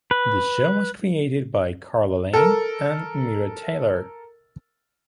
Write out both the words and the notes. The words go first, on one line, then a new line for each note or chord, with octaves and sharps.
The show was created by Carla Lane and Myra Taylor.
B4
A4 A#4